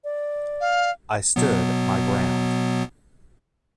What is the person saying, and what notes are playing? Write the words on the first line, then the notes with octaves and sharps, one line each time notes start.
I stood my ground.
D5
F5
B2 F#3 B3